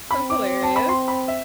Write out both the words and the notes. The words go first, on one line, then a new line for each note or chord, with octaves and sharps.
That's hilarious.
C4 B5
D6
A5
B5
C6
B5
E5